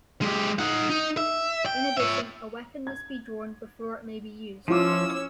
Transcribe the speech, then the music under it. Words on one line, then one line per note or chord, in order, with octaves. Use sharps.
In addition, a weapon must be drawn before it may be used.
G#3 G4
D#4 F#5
D#4
E5
G5
C#5 E5
G#6
F3 C#4 E4 F4 C#5 D6 E6